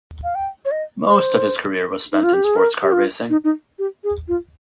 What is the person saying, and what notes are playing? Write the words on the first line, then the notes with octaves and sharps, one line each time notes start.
Most of his career was spent in sports car racing.
F5
G5
C#5
D#5
C5
D#4
F4
G4
G#4
A#4
G4
F4
D#4
D#4
G4
G#4
F4